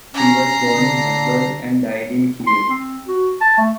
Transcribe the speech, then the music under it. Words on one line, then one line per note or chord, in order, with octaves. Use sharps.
He was born in Hamburg and died in Kiel.
C#4 A#5 C7
D3
C6
C4
F#4
A5
A3